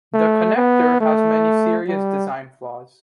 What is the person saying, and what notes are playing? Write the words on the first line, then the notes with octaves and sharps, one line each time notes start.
The Connector has many serious design flaws.
A3
B3
A3
G3